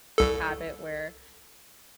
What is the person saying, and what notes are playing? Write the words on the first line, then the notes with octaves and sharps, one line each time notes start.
habit where
C2 A4